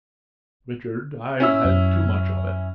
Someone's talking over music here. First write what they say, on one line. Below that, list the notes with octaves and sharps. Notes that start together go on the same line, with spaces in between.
"Richard, I've had too much of it!"
C#4 E4 E6
F#2